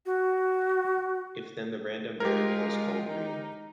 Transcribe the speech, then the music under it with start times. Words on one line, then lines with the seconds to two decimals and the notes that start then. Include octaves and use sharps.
If then the random variable is called "real".
0.06 F#4
2.20 G#3 F4 G4 A#4
3.07 D#4